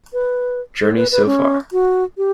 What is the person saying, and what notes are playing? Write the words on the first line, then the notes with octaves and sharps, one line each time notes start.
"Journey So Far".
B4
A4
B4
B4
C#4
F#4
G4